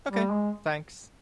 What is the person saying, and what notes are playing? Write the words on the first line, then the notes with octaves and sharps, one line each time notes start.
Ok, thanks.
G3
G#3